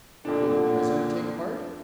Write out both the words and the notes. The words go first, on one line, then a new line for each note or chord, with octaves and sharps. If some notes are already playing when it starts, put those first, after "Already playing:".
Will the President take part?
F2 A#2 D3 F3 D4